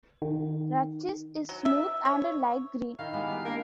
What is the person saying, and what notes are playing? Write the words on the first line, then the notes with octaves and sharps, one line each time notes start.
Rachis is smooth and light green.
D#3
F#3
E5
C#5
D#3 E4 F5
G3 G#3 B3
D#4 G4 B4
A#3 D4